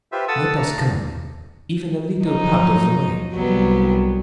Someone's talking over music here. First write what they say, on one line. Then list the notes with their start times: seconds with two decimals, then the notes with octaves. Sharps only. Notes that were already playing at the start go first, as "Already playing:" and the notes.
Let us come--even a little part of the way.'
0.12 F4 G4 B4 C5 E5
0.28 A4 F#5 A5 D#6 E6
0.57 A3 D4 F5 A#5 F6
2.25 F3 F#3 D#4
3.33 C2 F#3 G3 B3